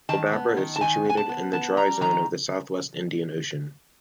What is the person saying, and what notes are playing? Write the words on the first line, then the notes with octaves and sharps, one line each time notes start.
Aldabra is situated in the dry zone of the south-west Indian Ocean.
D#3 A5
B3
D#3
A5
D#3 G#5
B3 G#5
A5
B3
B3 A5
G3 A#5
D#3 A#5